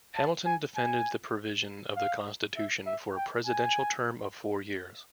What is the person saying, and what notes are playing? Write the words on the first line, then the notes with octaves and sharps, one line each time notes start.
Hamilton defended the provision of the constitution for a presidential term of four years.
A5
G#5
G#5
F5
E5
E5
G5
G#5